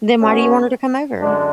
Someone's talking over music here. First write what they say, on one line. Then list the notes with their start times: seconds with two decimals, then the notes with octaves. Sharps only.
Then why do you want her to come over?
0.22 B2 A3 C#4
1.20 F#2 D3 G#3 D4